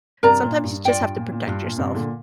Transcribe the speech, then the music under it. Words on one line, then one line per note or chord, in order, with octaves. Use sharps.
"Sometimes you just have to protect yourself."
G2 C3 A#4 D5 A#5
A#2
G2
G2 F4 D5 G5
G2
A#2
A#2
G2 D4 F4
A#2
G2 C3
A#2 D3